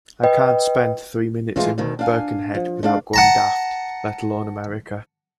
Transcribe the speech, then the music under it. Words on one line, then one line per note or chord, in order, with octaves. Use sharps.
I can't spent three minutes in Birkenhead without going daft, let alone America.
B4 D#5 G5
E3 G#3 A3 D#4 F4
D2 B2 D#3
D4 F5 G#5
F3
G#3 D4 F5
F#5 A5 A#5